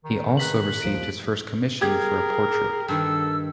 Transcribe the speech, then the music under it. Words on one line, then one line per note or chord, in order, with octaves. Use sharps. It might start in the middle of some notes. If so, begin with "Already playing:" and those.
He also received his first commission for a portrait.
D#3
G#4 B4 F#6 B6 F#7
D#2 F3 C5 D7
G4 G#4 A#4 G#6
G2 D#3 A4 E6